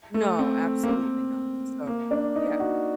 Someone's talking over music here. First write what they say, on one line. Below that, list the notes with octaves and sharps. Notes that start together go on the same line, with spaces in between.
No, absolutely not, so yeah.
A3
C4
A#3
C4
A#3
D4
D#4
F#4